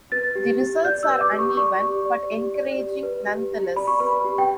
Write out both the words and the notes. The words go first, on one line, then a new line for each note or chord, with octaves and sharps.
The results are uneven, but encouraging nonetheless.
B4 A6
G4
G4
D5 G6
E6
B4
D6
G4
C#6
D5 C#6
G4
D5
G4
D5
G4
B4
G4
G4
D5 B5
C#6
B4 B5
G4
G5